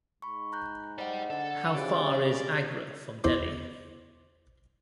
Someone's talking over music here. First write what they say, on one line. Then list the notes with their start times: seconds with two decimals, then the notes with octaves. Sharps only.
How far is Agra from Delhi?
0.22 G#2 B5 C#6
0.52 A#5 F#6 G6
0.98 C5 D5 D#5 F#5 G5
1.30 D3 A4 D5 F#5
1.75 C#3 F#4 G4 C5 D5
3.24 E2 B3 E4 C5 C6 D6